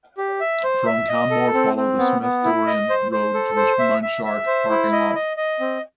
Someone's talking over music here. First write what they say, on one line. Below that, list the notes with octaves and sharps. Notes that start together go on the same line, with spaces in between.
From Canmore follow the Smith-Dorien road to the Mount Shark parking lot.
G4
E5
C5
E5
D#5
A4
C4
C4
B3
B3
E4
D#5
C5
C5
A4
C5
E5
E5
E5
C5
E4
D#5
D#5
D#5
C4